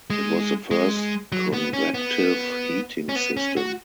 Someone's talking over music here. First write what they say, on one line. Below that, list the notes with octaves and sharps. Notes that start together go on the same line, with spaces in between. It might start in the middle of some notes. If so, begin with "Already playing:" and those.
It was the first convective heating system.
G#3
G#3
F#3
B3
C#4
B3
C#4
B3
C#4
F#4